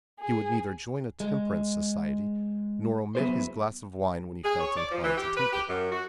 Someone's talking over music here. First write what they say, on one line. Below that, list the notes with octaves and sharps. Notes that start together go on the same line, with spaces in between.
He would neither join a temperance society, nor omit his glass of wine when he felt inclined to take it.
G#4
G#3
F#3 B3 E4 F#4 G#4 C5
G#4
C#5
D5
F3
E3
G4
B4
G4
F#2
F#4